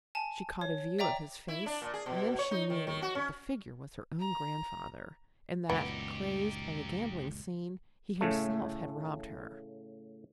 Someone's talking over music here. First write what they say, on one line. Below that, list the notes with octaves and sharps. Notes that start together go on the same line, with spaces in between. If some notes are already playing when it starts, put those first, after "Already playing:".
She caught a view of his face and then she knew that the figure was her own grandfather, and that, crazed by the gambling scene, he himself had robbed her!
G#5 A5
C#5
D5 E5 G5 A#5 D6
E4
D4
A#2
G#4
B2
C#5
D#4
D#3
D#3
F#4
C#4
A#5
C#2 F#2 A#2 B3 D#4 G4
A2 C#3 A3